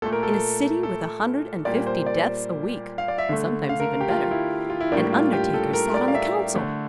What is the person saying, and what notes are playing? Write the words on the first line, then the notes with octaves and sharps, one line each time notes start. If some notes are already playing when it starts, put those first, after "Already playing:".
In a city with a hundred and fifty deaths a week, and sometimes even better, an undertaker sat on the council!
A#2 A3 A4
A#4
A4
A4
A4
A#2 G3 A#3 D5
C5
D5
F5
D5
E5
D3 A3
F5
A#4
G4
F4
E4
F4
E4
A2 G3 A#3 D4
F4
G4
A4
A#4
D5
F5
E5
D3 A3